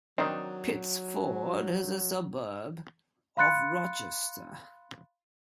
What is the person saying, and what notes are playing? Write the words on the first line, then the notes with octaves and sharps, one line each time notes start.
Pittsford is a suburb of Rochester.
D#3 F#3 C4 D4 D#4
F5 B5 C6 F#6 A6 C#7